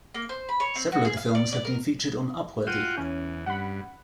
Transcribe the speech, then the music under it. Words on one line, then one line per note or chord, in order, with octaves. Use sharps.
Several of the films have been featured on Upworthy.
A#3
C5
B5
C#5
C4
F#4
G#4
F5
D5
D5
A#4
F4 F#4 G5 D#7
E2 C#4
G2 F#5 B5